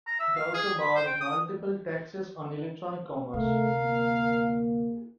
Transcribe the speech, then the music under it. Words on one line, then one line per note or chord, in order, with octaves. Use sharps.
It also bars multiple taxes on electronic commerce.
A#5
E5
F5
G#4
B5
C5
G5
D#6
D2 C3 A3 A#4 F5
A#3